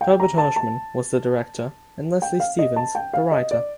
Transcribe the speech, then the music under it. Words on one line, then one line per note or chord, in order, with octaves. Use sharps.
Herbert Hirschman was the director and Leslie Stevens the writer.
G5
A#5
A5
A5
G5
F5
D#5
A5
G5
F5
D#5
D5